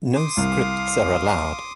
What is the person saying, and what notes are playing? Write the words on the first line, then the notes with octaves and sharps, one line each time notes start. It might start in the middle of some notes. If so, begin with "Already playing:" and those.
No scripts are allowed.
C6 D6 D#6
C2 F5